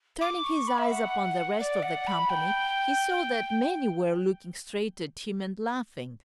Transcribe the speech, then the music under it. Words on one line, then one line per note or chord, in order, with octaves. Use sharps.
Turning his eyes upon the rest of the company, he saw that many were looking straight at him and laughing.
D6
C#6
B5
E5
F#5
D5
F#5
B5
G5